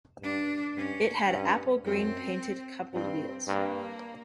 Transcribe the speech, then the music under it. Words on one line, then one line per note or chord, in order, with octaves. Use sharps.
It had apple green painted coupled wheels.
G2 D4
G2 C#4
G2
F#2 C4
G2 C4
G2 A#3